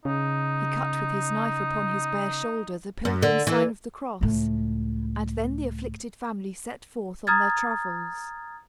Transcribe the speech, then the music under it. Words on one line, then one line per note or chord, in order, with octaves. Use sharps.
He cut with his knife upon his bare shoulder the pilgrim's sign of the cross, and then the afflicted family set forth on their travels.
C#3 D#4
F#2
D3
E3
C#2 A2
A#5 D#6 F6 G#6 A6